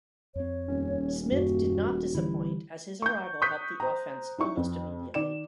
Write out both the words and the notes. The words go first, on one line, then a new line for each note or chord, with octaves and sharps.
Smith did not disappoint as his arrival helped the offense almost immediately.
F2 C4 C#5
D#1 C#4
F#2 A#3 F#4
D3 E3 G3 E4
C#6 G6
C#6 D#6 F#6 G6 B6
C5 A#5
D#4 E4 C#6
F2
D#3 D5 E7